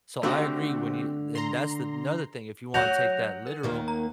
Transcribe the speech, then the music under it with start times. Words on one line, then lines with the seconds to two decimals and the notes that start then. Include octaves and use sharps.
So I agree, when you and that's another thing, you wanna take that literal,
0.23 D3 A3 C4 F#4 G4
1.35 A#5 C6
2.74 F#3 F#4 F#5 G6 A#6 F7
3.47 A#4
3.63 D#2 D#3 A#3
3.88 A#5